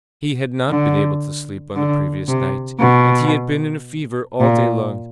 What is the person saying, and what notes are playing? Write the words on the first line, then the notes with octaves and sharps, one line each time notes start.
He had not been able to sleep on the previous night, and he had been in a fever all day long.
D3
D3
C3
B2
A#2